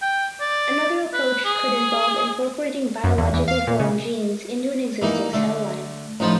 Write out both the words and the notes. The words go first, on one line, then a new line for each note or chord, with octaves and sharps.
Another approach could involve incorporating biologically foreign genes into an existing cell line.
G5
D5
B4
G#4
F#2
E2
E2
F5
A#2
C#3
E3 A#3 D#4
D3 A3
A1 F3 D#4 F4 C5 B5